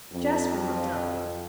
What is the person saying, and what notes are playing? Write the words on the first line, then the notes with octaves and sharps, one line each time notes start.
Jasper looked up.
F2